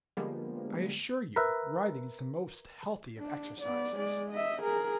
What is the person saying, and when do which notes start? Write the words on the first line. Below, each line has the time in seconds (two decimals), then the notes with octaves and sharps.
"I assure you, riding is the most healthy of exercises."
0.17 D3 F3 G3 G#3 A#3 B3
1.36 A#4 B4 E5
3.19 D4
3.61 B3 D5
3.96 G#3 D5
4.31 D#5 E5
4.62 G#4 A#4